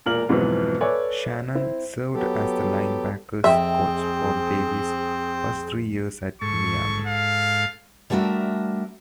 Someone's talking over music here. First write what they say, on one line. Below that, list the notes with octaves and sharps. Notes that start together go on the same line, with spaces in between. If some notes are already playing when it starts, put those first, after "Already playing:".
Shannon served as the linebackers coach for Davis' first three years at Miami.
E1 A#2 A#4 F6 F#7
F2 G#2 B2 E3 F#3 B3
A4 B4 C#5 D5 E5 G#5
C4 E4
F#3 B3 G4 A4
F2 C4 G#4 E5 G5
G#2 A4 C#6
F5
G3 A3 D4 F#4 A#4 E5